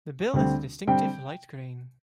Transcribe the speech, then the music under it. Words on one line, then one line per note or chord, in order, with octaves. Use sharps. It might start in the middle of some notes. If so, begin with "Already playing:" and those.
The bill is a distinctive light green.
D2 D3 G3 C4
D3 G3 C4 G5